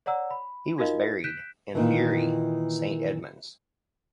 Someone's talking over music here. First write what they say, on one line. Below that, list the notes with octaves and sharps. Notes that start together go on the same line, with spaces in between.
He was buried in Bury Saint Edmunds.
C#5 D5 F#5 A#5 E6
B5
D#4 F4 F#4 A#4 D#5 F5
F#6 G6 B6 D7 E7
A#2 D#3 E3